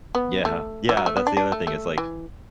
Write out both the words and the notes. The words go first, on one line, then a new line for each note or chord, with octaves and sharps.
Yeah. Yeah, that's the other thing, it's like,
B3
A3
E3
F#3
A3
B3
D4
D4
A3
A3
E3